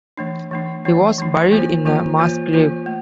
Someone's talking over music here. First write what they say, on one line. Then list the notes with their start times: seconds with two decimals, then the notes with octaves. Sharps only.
He was buried in a mass grave.
0.17 E3 A3 D4
0.51 E3 A3 D4
0.85 E3 A3 D4
1.18 E3 A3 D4
1.52 E3 A#3 F4 C5
1.85 E3 A#3 F4 C5
2.19 E3 A#3 F4 C5
2.53 E3 A#3 F4 C5
2.86 A3